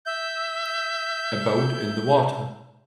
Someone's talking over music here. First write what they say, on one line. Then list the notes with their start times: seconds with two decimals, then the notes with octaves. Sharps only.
A boat in the water.
0.06 E5 G6